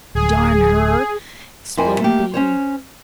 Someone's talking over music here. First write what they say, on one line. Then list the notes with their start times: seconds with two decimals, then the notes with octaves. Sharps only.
"Darn her," exploded Davy.
0.15 D1 G#4
1.77 F2 E4 A#4 C5 G#5
2.00 A3 A#3 G4
2.34 C#4 C5 C#5